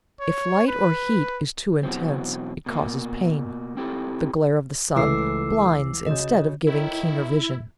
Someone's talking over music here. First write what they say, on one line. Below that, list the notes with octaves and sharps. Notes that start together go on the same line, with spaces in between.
If light or heat is too intense, it causes pain; the glare of the sun blinds instead of giving keener vision.
C#5
B4
B2 E3 F#3 C4
B2 A#3
C4 E4 G4 A4
C#2 E3 A3 E4 A4 D6 E6 C7
C#3 F#4 D#5 G6
A2 D#3 E4